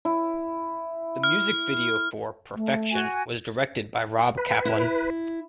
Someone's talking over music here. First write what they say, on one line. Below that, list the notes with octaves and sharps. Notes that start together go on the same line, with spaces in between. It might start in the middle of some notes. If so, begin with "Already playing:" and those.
The music video for "Perfection" was directed by Rob Kaplan.
E4
F6
A3
F#4 G#5
B4
E4